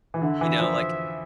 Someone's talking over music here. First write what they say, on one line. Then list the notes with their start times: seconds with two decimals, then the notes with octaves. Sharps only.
you know, like,
0.14 E3
0.22 D3 E5
0.41 E3
0.59 F3